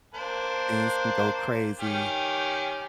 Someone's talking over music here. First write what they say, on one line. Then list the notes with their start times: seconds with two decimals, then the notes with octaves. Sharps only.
things can go crazy,
0.14 A#3 D4 C5
1.79 D#3 C#4 G4